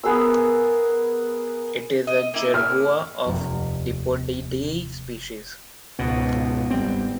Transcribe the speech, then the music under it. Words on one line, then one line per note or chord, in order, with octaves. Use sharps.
It is a jerboa of the Dipodidae species.
B3 G#4 A#4 E6
D#5
A#3 E4
F6
F1 D#2
C#2 G#2 B2 B3
G1 G3 C4